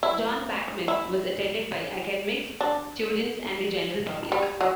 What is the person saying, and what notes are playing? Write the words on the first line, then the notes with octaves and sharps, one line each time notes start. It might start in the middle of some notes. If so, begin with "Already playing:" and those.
John Bachman was attended by academics, students, and the general public.
E4
E4
D4
G3
F#3